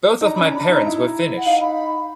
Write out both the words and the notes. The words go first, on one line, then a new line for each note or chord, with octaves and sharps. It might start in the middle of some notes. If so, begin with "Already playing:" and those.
Both of my parents were Finnish.
D#4
D4 A#5
B5
C#4
A#5
D4 B5
A5
D#4 A#5
E4
F#5
D#4 F5
B5